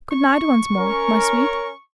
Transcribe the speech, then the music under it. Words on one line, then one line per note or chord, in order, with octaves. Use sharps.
Good-night once more, my sweet.'
C#6
C#4 A#4